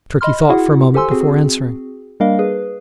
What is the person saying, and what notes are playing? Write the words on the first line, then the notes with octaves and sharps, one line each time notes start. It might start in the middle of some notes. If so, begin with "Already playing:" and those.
Turkey thought for a moment before answering.
D#5 B5 C6 F6
E4 F#4 G#4 F#5
G4 A4 C5 G#5 C6 E6
C4 F#4 G#4
G3 A#3 D4 A#4 D#5 F5
G#4 B4